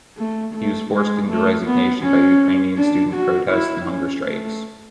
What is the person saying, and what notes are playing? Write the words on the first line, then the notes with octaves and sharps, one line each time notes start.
He was forced into resignation by Ukrainian student protests and hunger strikes.
A3
A3
G#3
A3
B3
C#4
D4
F#4
E4
C#4
A3